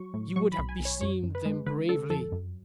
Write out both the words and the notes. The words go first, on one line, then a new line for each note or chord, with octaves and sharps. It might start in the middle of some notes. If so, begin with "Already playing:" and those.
You would have beseemed them bravely.
Already playing: F#3 C#6
A2
F#3 C#6
B5
B1
G#5
B1
C#5
F#2 C#5
F#2
B4
G#3
D3 B4
D3 A4
F2 A4
F#2